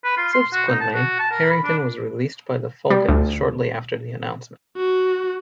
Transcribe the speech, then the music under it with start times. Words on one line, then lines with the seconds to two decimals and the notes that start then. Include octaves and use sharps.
Subsequently, Harrington was released by the Falcons shortly after the announcement.
0.04 B4
0.17 F4
0.33 C6
0.53 F#4
0.68 D#4
0.81 A5
0.94 F#4
1.19 A5
1.31 A#4
1.50 B5
1.64 D4
2.90 G3
3.09 D2
4.77 F#4